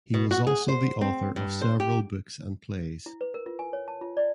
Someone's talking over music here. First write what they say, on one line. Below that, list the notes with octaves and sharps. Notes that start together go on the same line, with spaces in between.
He was also the author of several books and plays.
B2
F#4
G#4
C5
C4
G2
C5
G4
E4
B4
A#4
F4
G#5
C#5
A5
F4
D5